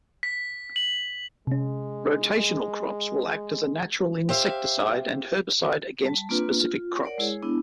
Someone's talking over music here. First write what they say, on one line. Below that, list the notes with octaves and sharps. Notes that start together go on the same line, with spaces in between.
Rotational crops will act as a natural insecticide and herbicide against specific crops.
B6
F#7
C3 G#3 C#4
G4 C5 E5 F5
G3 A5
A#3 C4 D4 F4 B4
F4
A#4 C#5 D5 F#5
G#3 E4 G#4 C#5
B3 D4 E4